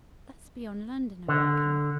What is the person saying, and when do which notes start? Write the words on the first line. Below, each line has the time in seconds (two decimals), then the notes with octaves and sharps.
'That's beyond London, I reckon?
1.28 D3